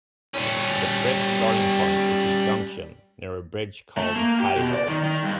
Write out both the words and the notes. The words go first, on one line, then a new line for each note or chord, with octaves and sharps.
The trek starting point is a junction near a bridge called Hattihole.
G3 C#4
A3
A#3
G4
B2
D5
D#3
D#3
G2